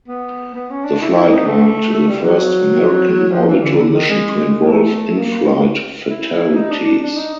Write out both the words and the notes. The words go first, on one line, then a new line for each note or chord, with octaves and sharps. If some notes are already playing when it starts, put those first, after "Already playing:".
The flight marked the first American orbital mission to involve in-flight fatalities.
B3
B3
C#4
D4
E4
E4
D#4
A3
A3
G3
F#3
F3
E3
D3
D3
D#3
G#3
A3
A#3
E4
D#4
D4
D4
D4
D#4